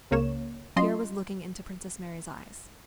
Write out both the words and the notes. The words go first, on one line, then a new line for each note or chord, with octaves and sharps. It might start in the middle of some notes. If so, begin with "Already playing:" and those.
Pierre was looking into Princess Mary's eyes.
C#2 C#3 A#3 C#5 E7
F#3 C#4 F4 D#5 C6